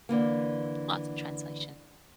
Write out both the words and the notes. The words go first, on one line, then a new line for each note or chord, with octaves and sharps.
lots of translation.
D3 E3 A#3